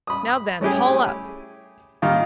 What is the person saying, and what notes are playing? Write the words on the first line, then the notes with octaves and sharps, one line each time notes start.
Now, then, haul up.
B5 D#6
A3 C#4 E4 G4 G#4
D#3 G3 A#3 F4